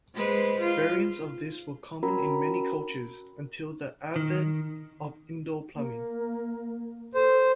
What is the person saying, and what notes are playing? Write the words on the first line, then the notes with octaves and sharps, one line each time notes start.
Variants of this were common in many cultures until the advent of indoor plumbing.
G#3 B4 C5
F4
C#4 F#4 A#4 A#5 B5
D#3
A#3
A4 C5